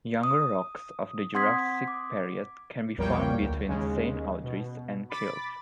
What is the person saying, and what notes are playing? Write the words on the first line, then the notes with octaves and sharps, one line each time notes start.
Younger rocks of the Jurassic period can be found between Saint Audries and Kilve.
D#6
C4 F#5 C6 D#6 G#6 B6
D6
A#1 E2 G3 A#3 C#5 G5
D2
D#2 C#3 G#3
B2
B5 D6 A6 B6